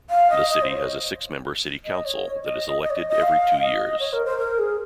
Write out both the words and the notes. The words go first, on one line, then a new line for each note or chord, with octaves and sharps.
The city has a six-member City Council that is elected every two years.
F5
D#5
D#5
C5
C#5
D#5
C#5
D#5
D#5
C#5
D#5
D#5
F5
D#5
C#5
A#4
C5
A#4
G#4